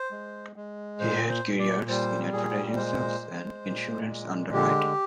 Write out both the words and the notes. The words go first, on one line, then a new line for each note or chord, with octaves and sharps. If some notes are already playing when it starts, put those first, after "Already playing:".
He had careers in advertising sales and insurance underwriting.
Already playing: C5
G#3
G#3
A#2 C5
C5
A#2
D5
G3 C5
A#2 G#4
G#3 C5
G#3
A#2
G#3
D3 G4